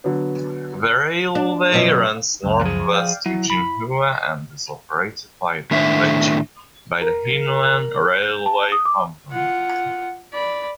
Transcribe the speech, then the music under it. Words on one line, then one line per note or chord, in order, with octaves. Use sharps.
The railway runs northwest to Jinhua and is operated by the Jinwen Railway Company.
D3 F#3 B3
D4
F#2 B2 F#3
C#2 F#2
F3 G#4
D5 F5 G5
F#3 E4
B5
A2 D#3 D4 E5
A#4
G6
A5
D#6
D6
F4 F#5
D5 B5